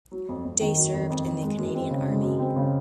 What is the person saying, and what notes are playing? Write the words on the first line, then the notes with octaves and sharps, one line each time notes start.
Day served in the Canadian Army.
F#3
F2
F2
D#3
F#3
F2
F2
D#3
G#3
F#2
C4
C#3
G#3
F#2
C4
C#3